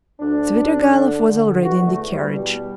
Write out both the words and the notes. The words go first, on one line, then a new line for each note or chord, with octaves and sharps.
Svidrigailov was already in the carriage.
D2 D4
D2
D3
D3
E2 F#4
A3
E2
G3
B2 G3